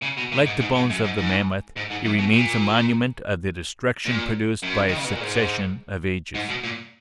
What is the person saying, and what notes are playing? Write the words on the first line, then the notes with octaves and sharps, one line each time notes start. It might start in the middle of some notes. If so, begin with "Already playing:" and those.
Like the bones of the mammoth, it remains a monument of the destruction produced by a succession of ages.
C#3
B2
A#2
G#2
G#2
G#2
F#2
G#2
G#2
G#2
G#2
F#2
B2
A#2
A#2
F#2
D#3
C#3
B2
A#2
G#2
G#2
B2
A#2